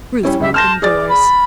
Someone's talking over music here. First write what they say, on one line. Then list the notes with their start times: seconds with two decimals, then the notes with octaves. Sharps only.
Ruth went indoors.
0.23 G3 C#4 E4
0.40 C#2 G4 E5
0.54 A5 C6 F6 G6 A#6
0.82 G#4 D5 D6 A6
1.08 B5